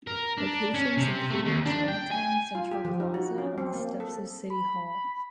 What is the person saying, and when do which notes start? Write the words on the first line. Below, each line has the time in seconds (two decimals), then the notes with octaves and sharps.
Locations included Chinatown Central Plaza and the steps of City Hall.
0.07 A#4
0.38 D4
0.74 C#4
0.97 C3
1.31 A3
1.46 D#2
1.66 D4
1.88 G5
2.11 G#5
2.55 F4
2.71 G4
2.85 F3
3.00 D#4
3.14 F#4
3.38 C#4
3.58 C4
3.73 A#3
4.00 A4
4.50 B5